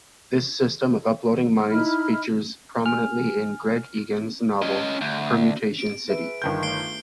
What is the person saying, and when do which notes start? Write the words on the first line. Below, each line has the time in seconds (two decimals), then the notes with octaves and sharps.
This system of uploading minds features prominently in Greg Egan's novel "Permutation City".
1.69 D#4 E4 B5 F6
2.86 G#5 F6
4.62 C#4 D#5
5.01 D2
5.79 D7
6.08 G#4 B4 E5
6.42 G1 D#3 G6
6.63 A3 C7 D7 G7